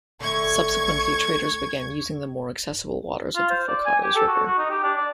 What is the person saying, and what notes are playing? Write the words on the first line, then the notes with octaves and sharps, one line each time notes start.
Subsequently, traders began using the more accessible waters of the Forcados River.
D3 A3 C#6 G#6
F4
C5
D5
G#5
G4
A4
F#4
F#4
D#4
G4
D4
D5